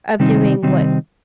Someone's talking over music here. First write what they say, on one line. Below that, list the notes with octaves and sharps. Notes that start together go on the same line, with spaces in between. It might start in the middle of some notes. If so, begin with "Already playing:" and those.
of doing what
C3 D#3 G3 C4 D#4
C3 D#3 G3 C4 D#4